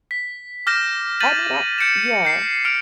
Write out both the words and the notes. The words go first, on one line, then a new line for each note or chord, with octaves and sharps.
I mean, I yeah.
B6
D6 F6 G6 A#6 B6 E7
G6 A6 B6 D#7 F#7
G6 C#7 D7 E7
G6 C7
F6 C#7 D7 F7